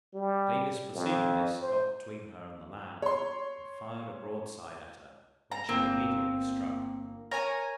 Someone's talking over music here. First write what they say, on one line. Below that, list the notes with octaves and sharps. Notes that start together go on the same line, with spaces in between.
Davis perceiving this, got between her and the land, and fired a broadside at her, when she immediately struck.
G3
F2
C5
C#5 C6
A#5
G1 A#3 C4
A#4 C#5 G#5 A#5